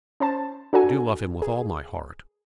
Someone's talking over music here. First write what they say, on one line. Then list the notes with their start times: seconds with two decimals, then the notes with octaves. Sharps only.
I do love him with all my heart.
0.20 C#4 C5 A5
0.73 D4 F#4 A4 G#5
1.42 G#4